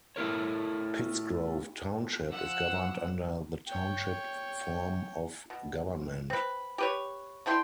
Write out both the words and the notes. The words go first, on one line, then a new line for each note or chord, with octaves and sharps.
Pittsgrove Township is governed under the Township form of government.
A3 C4 E4 A#4 C#5
F3 F#5 E6
C#5 G5
B2
C4 B4
G4 B4 C#5
D3 E4 G5 C6